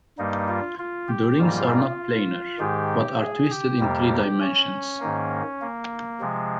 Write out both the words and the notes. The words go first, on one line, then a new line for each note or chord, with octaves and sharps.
The rings are not planar, but are twisted in three dimensions.
G2 G3 A#3 D#4
F4
F4
G4
G#2 G3 A#3 F4
G#2 D#3 G#3 G4
G#4
G4
F2 C3 G3 A#3
C#4
G#2 D#3 A#3
A#3
C3 F3 G#3